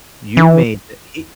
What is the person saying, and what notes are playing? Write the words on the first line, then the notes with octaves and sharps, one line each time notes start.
you made the he
E3